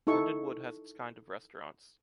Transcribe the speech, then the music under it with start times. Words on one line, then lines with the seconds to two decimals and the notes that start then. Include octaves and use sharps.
Lindenwood has its kind of restaurants.
0.07 D#4 E4 A4 C#6